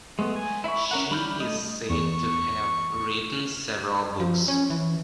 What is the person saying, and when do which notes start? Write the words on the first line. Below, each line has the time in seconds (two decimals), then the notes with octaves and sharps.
She is said to have written several books.
0.19 G#3 A3 B3
0.36 G#5
0.64 E4 E5 B5 C#6
0.91 C#4 A#4 F#5
1.11 G3 B5 F6 G6
1.40 A3 D#5
1.90 E2 C#6
4.20 F3
4.48 C#4
4.70 E3